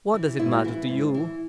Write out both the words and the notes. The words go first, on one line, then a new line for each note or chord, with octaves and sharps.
"What does it matter to you?"
E3
G#2 E4
F#4
E3 E4
G#2
E3